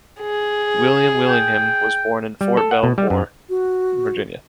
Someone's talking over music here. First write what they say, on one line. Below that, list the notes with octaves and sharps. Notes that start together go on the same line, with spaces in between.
William Willingham was born in Fort Belvoir, Virginia.
G#4
G5
G3
A4
F#5
B2
G3
F#2
F#4